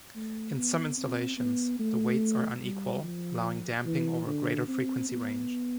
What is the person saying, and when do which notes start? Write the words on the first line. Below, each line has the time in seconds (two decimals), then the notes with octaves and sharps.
In some installations, the weights are unequal, allowing damping over a greater frequency range.
0.15 A3
0.56 B3
0.97 C4
1.38 B3
1.79 A3
2.62 G3
3.02 F3
3.85 E3
4.26 D3
4.68 C4
5.09 B3